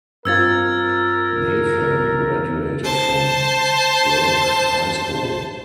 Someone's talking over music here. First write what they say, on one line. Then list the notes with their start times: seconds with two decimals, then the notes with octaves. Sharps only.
Nathan graduated from Burch High School.
0.25 G2 C4 F4 A#4 E6 G#6 A6
2.84 C5 A5